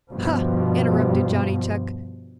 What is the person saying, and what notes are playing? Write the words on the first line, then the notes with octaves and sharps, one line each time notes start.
"Huh!" interrupted Johnny Chuck.
G2 B2 F3